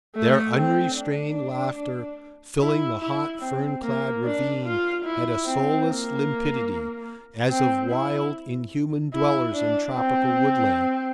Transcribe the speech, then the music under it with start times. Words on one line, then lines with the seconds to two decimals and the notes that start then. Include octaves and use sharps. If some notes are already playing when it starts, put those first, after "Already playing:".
Their unrestrained laughter filling the hot, fern-clad ravine had a soulless limpidity, as of wild, inhuman dwellers in tropical woodlands.
0.16 A3
0.57 C4
0.97 D4
2.61 E4
3.02 E4
3.42 C4
3.83 A#3
4.24 D4
4.65 F4
5.05 E4
5.46 C4
5.87 A#3
7.50 C4
7.91 E4
9.13 E4
9.54 D4
9.94 C4